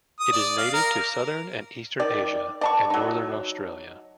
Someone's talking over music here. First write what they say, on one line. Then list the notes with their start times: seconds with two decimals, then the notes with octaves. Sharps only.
It is native to southern and eastern Asia and northern Australia.
0.20 D#6
0.32 D5
0.57 F5
0.74 A#4
2.00 D#3 D5
2.61 D5 A5 C#6
2.90 F#3 D#4